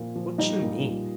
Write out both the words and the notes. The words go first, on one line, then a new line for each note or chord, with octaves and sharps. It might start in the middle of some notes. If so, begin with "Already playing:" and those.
"What you mean?"
Already playing: A#2 F3
F3
G3 D#4 D#5
A#2
G3